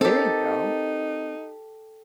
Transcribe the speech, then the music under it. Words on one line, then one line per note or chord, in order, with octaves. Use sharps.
There you go.
C4 D#4 G4 A4 A#4